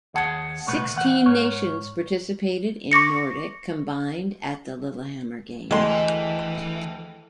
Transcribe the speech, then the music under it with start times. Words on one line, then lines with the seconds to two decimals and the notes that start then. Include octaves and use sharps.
Sixteen nations participated in nordic combined at the Lillehammer Games.
0.14 D#2 G#4 F#5 A5
0.67 C2 A#2 A3 B3 B4
0.95 E2 E3 F#5
1.26 G#2 C#5
2.91 C#6 D6 A#6 C#7
5.71 D2 E3 G#3 A4 G5 C6